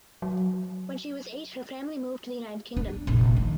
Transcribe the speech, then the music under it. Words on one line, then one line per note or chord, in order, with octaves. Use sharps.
When she was eight her family moved to United Kingdom.
F#3
D4
F1 A#1
D#3